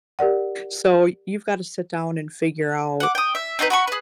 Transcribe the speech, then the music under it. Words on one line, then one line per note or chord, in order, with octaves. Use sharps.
So, you've gotta sit down and figure out,
G4 A#4 D5 F#5
F#5 D6
G5 D#6
E5
C4 D#4 F4 B4
F#4 B5 C#6
G#4 B4